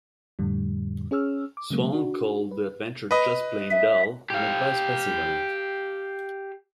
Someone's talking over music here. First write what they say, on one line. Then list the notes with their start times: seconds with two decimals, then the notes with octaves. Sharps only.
Swan called the adventure "just plain dull" and advised passing on it.
0.39 F2 A2 D3 G3
1.11 C#4 G#4 C#5 E6 F6
1.57 D6
1.70 C#3 F#3 G#3 A#3
1.93 D4 F#4
2.51 B4
3.11 B4 D#5
3.71 E5
4.30 G4 F5